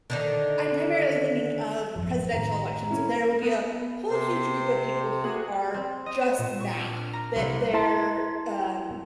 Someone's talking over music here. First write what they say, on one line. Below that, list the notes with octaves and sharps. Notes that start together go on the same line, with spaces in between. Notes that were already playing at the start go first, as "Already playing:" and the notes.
I'm primarily thinking of presidential elections. There will be a whole huge group of people who are just mad that their, um,
D3 D#3 D4
A1 F#2 F3
A2 D#3 A#5
C#4 E4
B3
C3 C5
F#4 G#4 F#5
C4
D#5
E7
A#2
C#6
D4
F6
A#5
C2
E4 A#4 A5 C6